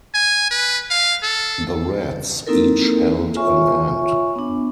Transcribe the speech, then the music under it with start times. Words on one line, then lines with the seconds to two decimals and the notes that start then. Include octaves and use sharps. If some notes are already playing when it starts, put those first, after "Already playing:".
The rats each held an end.
0.14 G#5
0.51 B4
0.91 F5
1.22 A4
2.47 A#3 C4 D#4 E4 A4 A#4
3.36 F4 C#5 E5 G#5 C#6
4.36 B3 D4